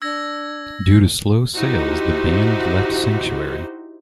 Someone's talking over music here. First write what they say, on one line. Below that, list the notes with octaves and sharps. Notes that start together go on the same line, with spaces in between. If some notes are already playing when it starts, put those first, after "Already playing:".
Due to slow sales, the band left Sanctuary.
D4 E6 G#6 A#6
D#4 E4 F#4 G4 C5